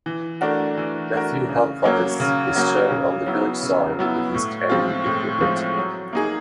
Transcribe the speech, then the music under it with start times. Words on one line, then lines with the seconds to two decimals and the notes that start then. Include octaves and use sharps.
Mathew Hallcottis is shown on the village sign with his tanning equipment.
0.06 E3
0.41 A3 D4 F#4 A#4
0.77 E3
1.13 A3 D4 F#4 A#4
1.49 C#3
1.84 F#3 A#3 C#4 F#4
2.20 C#3
2.56 F#3 A#3 C#4 F#4
2.91 C#3
3.26 F#3 B3 E4
3.63 C#3
3.99 F#3 B3 E4
4.34 A2
4.70 F3 G#3 C4 F4
5.06 A2
5.41 F3 G#3 C4 F4
5.78 F#3
6.13 A#3 D#4 G#4